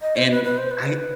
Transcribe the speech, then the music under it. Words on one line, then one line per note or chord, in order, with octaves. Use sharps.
And I
D#5
C5
B4
B4
C5
B4